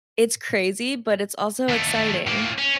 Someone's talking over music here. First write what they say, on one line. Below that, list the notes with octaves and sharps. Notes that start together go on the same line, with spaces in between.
it's crazy, but it's also exciting.
D#2 A3
A2 A#3
C#4